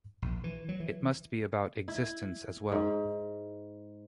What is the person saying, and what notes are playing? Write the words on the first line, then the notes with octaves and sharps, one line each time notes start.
It must be about "existence" as well.
A#1
E3
F#3
E3
E4
G#2